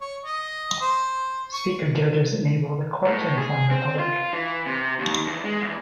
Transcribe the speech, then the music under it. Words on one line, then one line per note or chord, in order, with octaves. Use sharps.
Speaker judges enable the court to inform the public.
C#5
D#5
C5
C#6
A2
G#4
C4
F4
E3
C3
D#2
E2
G#3
E2